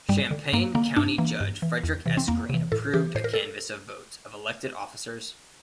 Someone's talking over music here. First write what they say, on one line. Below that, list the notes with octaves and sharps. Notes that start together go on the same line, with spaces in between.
Champaign County Judge Frederick S. Green approved a canvass of votes of elected officers.
G2 G3
D3
G2 A#3
D3 A#3
G2 D4
E3 A#3
G2
E3
E2
C3 E3
C4
E2 A#3
C3 E3
A2 A4
E3 G4
A2 C5
A#4
A4